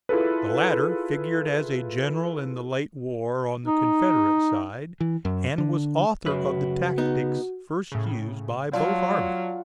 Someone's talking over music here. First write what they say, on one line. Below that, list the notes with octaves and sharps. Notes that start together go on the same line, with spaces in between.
The latter figured as a general in the late war, on the Confederate side, and was author of the tactics first used by both armies.
E4 F4 G#4 A4 B4
D#4
E3
F#2
D3
F#2 C#3 F#4 B4
B3 D#4
A2 C#3
F#3 F4 D5 A5 F6